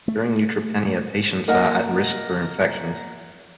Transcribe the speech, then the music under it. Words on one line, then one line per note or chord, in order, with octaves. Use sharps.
During neutropenia, patients are at risk for infections.
A3
A#3 A#4 D#5 F#5